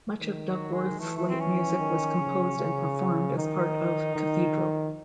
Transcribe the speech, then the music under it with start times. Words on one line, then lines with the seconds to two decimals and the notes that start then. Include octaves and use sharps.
Much of Duckworth's late music was composed and performed as part of "Cathedral".
0.20 D#3
0.47 F#3
0.73 G#3
0.99 E3 A3
1.16 A3
1.28 C4
1.40 C#4
1.79 D#3
2.18 C#3
2.58 C#3
3.37 D#3 D#4
4.16 D#3